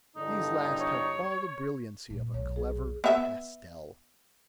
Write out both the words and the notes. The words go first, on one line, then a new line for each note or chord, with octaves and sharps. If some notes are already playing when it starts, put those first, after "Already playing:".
These last have all the brilliancy of a clever pastel.
E2 G2 D3 D#4
C#5
A#2
B1 E2 C#5
G#4
B3 E5